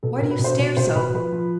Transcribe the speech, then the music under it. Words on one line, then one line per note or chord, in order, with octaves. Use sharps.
Why do you stare so?
B2 A4
A#4
B2
B4
B2
C5
B2 C#5
B2 C5
B2 B4
F3 B4
F3